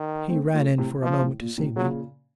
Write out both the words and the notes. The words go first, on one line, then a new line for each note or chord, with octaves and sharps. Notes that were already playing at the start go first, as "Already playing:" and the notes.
'He ran in for a moment to see me....
Already playing: D#3
A3 C4
F3 A3
A2 C3
A#2 F3
A2
A#2
A2 C3
A#2 C#3 F#3